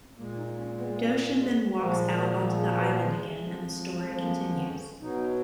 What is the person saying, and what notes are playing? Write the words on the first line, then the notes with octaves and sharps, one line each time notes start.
Doshin then walks out onto the island again and the story continues.
A#2 G#3 A#3
D#4
C#4
B3
G#3
A#3
G#3
A#2 F3 G#3 A#3
A#3
G#3
B3
A#3
G#3
F2 F3 G#3
A#3
A#3
B3
C#4
B2 F#3 D#4